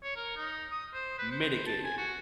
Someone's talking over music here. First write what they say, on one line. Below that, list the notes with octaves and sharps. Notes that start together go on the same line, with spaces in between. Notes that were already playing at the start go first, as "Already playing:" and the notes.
mitigate it
C#5
A#4
D#4
D#6
C5
B4
C5
A5
G#5
F#4